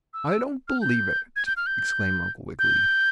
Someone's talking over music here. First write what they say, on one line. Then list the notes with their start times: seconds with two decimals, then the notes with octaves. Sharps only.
"I don't believe it!" exclaimed Uncle Wiggily.
0.14 E6
0.68 F6
0.82 G6
1.36 G#6
1.46 G6
1.57 F6
1.66 G6
2.59 G6